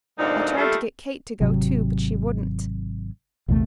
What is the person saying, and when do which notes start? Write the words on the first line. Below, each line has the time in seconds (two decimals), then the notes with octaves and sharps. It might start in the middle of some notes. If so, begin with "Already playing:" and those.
I tried to get Kate to go, too; but she wouldn't.
0.18 D2 G2 A#2 C4 D4 D#4
0.57 D#3 G3 A3 F4 A4
1.40 G#1 C3 F#3
3.48 A#1 E2 C3 A3